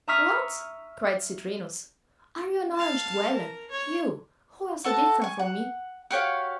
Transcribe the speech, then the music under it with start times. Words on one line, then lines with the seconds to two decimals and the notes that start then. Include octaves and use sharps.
"What," cried Citrinus, "are you an Orange-dweller; you, who are so different from me?"
0.08 E5 A#5 C#6 D#6 F6 B6
2.75 F5 A5
3.34 A#4
3.70 C#5
4.84 F#4 A4 A5
5.22 G#5 C#6
5.39 F#5
6.11 F#4 G4 C#5 F5